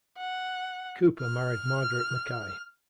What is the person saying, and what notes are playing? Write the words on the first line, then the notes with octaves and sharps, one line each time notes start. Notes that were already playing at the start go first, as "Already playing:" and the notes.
Cooper married Margaret Mackay.
F#5
F6